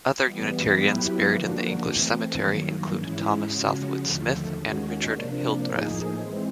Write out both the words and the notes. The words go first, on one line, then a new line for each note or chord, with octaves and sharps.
Other Unitarians buried in the English Cemetery include Thomas Southwood Smith and Richard Hildreth.
E3 G3 B3
F#3 B3 E4 G4 B4
D3 F3 A#3 D4 F#4
E3 A3 C4
G2 D#3 F#3 A#3
G#2 E3 G#3 C#4 E4
C#3 F3 G#3 C#4 F#4
D#2 D3 F3 A3
D#2 D#3 G#3 C#4 F#4
C3 F3 A#3 D4
A2 F3 A#3 D#4 G#4
E3 G#3 C4